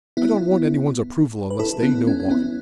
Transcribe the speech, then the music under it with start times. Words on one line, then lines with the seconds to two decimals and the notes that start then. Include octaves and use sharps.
I don't want anyone's approval unless they know why.
0.17 B3 E4
1.50 B4
1.59 E4 A4
1.83 B3 E4
2.07 C#4
2.20 C#4
2.30 B3 E4